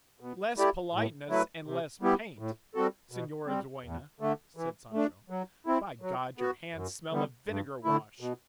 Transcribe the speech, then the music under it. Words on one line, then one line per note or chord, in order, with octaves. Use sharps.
"Less politeness and less paint, senora duenna," said Sancho; "by God your hands smell of vinegar-wash."
B2
A3 E4 G4 D5
A2
F#3 A3 E4 B4
C3
G3 B3 E4 G4
A2
G3 C4 F#4 A4
B2
G3 C4
E2
D3 A3
E3
A3 D4
F#3
C4 E4
F#3
B3 F#4
F#2
D3 G3 B3
G2
D3 A3 E4
B2